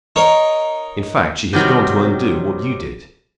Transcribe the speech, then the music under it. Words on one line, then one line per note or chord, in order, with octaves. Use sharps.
In fact she has gone to undo what you did.
D#4 A#4 C#5
C3 D#3 F#3 G3